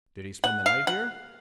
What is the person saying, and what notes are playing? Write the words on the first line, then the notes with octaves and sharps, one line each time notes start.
"Did he spend the night here?"
F#5
F5
F#5